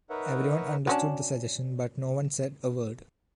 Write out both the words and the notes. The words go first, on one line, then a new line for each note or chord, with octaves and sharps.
Everyone understood the suggestion but no one said a word.
D#4 A#4 B4 C#5 E5 F#5
F#3 C#4 D4